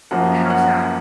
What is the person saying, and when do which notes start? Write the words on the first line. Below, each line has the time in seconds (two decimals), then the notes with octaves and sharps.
How so?
0.11 F#2 F3 A#3 F#5
0.50 F#5